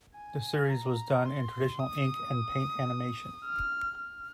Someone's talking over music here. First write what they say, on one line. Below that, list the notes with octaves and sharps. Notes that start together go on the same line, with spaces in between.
The series was done in traditional ink and paint animation.
G#5
A#5
C6
D#6
F6
F6